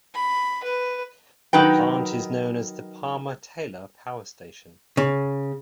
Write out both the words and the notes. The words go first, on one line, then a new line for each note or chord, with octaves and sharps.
The plant is known as the Palmer-Taylor Power Station.
B5
B4
D#3 F#3 D#4 B4 G5
C#3